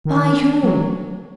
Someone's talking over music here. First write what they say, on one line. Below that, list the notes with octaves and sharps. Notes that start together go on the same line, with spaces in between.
"By whom?"
D#3
F#3